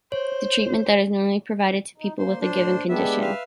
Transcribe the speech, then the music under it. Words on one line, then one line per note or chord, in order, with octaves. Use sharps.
The treatment that is normally provided to people with a given condition.
C5 C#5
D#4
A#3 C5
A2 D4 C5
G#3 B3 D4 G4 E5
B4 E5 F5